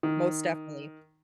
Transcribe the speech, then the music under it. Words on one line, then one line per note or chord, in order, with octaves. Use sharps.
Most definitely.
D#3